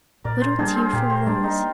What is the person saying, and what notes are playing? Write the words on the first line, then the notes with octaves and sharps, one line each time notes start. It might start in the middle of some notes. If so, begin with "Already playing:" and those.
Little tearful rose!
A#2 A#4 D5
G#4 C5
G3 A#3 D4 G#4 C5
G#4 C5
A#2 G4 A#4
G#4 C5
G3 A#3 D4 A#4 D5
D#4 G4